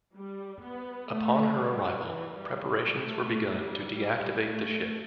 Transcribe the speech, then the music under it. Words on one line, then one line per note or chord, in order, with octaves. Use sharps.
Upon her arrival preparations were begun to deactivate the ship.
G3
B3
A3
G3
E3
G3
G3
A3
G3
G3
A3